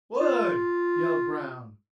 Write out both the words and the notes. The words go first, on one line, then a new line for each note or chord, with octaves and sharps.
"Wood!" yelled Brown.
F4